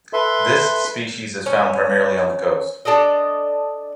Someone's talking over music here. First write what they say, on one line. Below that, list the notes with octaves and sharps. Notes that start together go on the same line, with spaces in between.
This species is found primarily on the coast.
A4 B4 E5 C6
C#4 C#5
D4 A4 D5 D#5